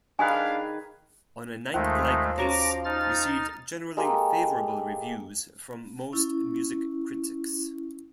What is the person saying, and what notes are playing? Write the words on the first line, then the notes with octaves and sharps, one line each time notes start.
"On a Night Like This" received generally favourable reviews from most music critics.
D#3 D4 G#4 B4 F5 G#5
D#2 D#3 F3 G#3 A3
C#4 F#4 C#5 A#5 D6
D#4 F6 A6
G#3 A#3 G4 A4
C#4 E4